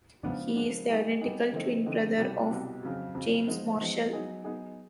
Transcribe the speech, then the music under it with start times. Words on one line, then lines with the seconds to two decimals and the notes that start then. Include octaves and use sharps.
He is the identical twin brother of James Marshall.
0.23 C#3 F3 G#3 B3 D4
0.55 C#3 F3 G#3 B3 D4
0.89 G3 B3 D#4 G#4
1.21 G3 B3 D#4 G#4
1.53 D3 F3 A3 C4 D#4
1.86 D3 F3 A3 C4 D#4
2.18 C2 B2 G3
2.50 C2 B2 G3
2.83 F2 C#3 F#3
3.15 F2 C#3 F#3
3.48 F3 G#3 B3 D#4
3.80 F3 G#3 B3 D#4
4.13 F#3 B3 D#4 G#4
4.44 F#3 B3 D#4 G#4